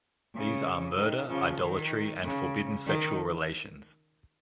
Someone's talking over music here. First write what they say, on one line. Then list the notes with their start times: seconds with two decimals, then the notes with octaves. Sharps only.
These are murder, idolatry, and forbidden sexual relations.
0.34 C#3
0.96 D#3
1.28 C#3 F3
1.61 D#3
2.24 C#3
2.86 D#3